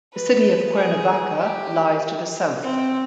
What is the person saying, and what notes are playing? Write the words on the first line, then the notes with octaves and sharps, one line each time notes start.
The city of Cuernavaca lies to the south.
B4
G#4
G4
C4